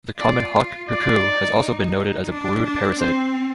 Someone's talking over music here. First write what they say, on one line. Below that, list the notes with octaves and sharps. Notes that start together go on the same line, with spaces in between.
The common hawk-cuckoo has also been noted as a brood-parasite.
F4 D5
F4 D5
D#4
D4
D4
C4 C5